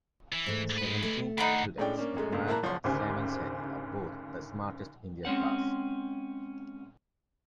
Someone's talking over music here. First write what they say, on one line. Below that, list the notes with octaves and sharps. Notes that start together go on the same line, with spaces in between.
Seventeen students admired that Sam and Sally are both the smartest in their class.
E3
G#2 A3
G#3 B4
A3
D#3 D4 D#4 F#5 B5
A2 G#3 C#4 D4 D5 G5
A#3 C#4 D4
F#2 G#3 A3
C#2 A#2 D3 A3
A#2 A#3 E4 A5 A#5 F#6
F#1 F3 C#5 F#5 C6
G#1 D2 C#3 G4 C5 G#5
G#3 C4 C#4 F#5